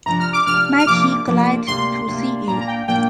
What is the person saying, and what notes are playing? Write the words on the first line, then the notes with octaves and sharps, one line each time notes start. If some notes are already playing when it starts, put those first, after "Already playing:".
Mighty glad to see you.
C3 F3 D4 A#5
F6
D6
C3 F3 D4 F6
F6
C3 F3 A#3 D4 D6
C3 F3 A#3 D4
D2 C3 A#3 D4 C6
D2 C3 A#3 D4
A#2 A#3 D4 A#5
A#5
G5
A#2 A#3 D4 G5